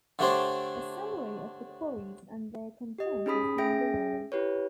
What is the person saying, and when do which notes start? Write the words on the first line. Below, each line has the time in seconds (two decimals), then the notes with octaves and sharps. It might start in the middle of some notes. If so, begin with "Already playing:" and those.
A summary of the quarries and their contents is given below.
0.19 D3 A3 D4 G4 C5 C#5
2.98 G4 D#5
3.26 C#4 D#4 G#4 B5 D#6 B6
3.58 C#4 G#4 E5 G5 A#6 D7
4.32 E4 G4 B4 C#5